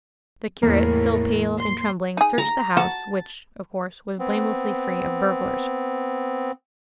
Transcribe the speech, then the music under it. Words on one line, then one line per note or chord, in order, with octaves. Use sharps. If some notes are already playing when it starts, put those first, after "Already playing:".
The curate, still pale and trembling, searched the house, which, of course, was blamelessly free of burglars.
E2 A2 E3 A#3
C6
D#4 G#4
A#5
F#4 A5
B3 C4